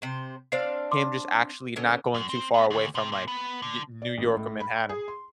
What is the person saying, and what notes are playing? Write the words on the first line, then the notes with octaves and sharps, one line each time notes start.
him just actually not going too far away from, like, Ne New York or Manhattan.
C3 C5
C4 D4 C5 F5 C7
C6 D6
D3 B3 C#4
F#2
C4
B3
D2
C3
A#2
B3
D3
D5
A1
A2
B5
G#4
C6